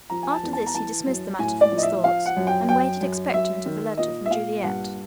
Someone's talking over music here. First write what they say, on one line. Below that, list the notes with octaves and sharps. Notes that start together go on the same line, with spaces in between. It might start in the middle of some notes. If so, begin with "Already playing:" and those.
After this he dismissed the matter from his thoughts and waited expectant of a letter from Juliet.
F3 A#5
G#5
A5
E2
A5
A#5
E3 A5
F#2
A2 G#5
D5
F3
D#5
E5
F3 F5
F#5
F#2
G5
F#2 G5
F#2
F#2 E5
D#3
A#2 D#5
E5
A#2 F5
G2 F#5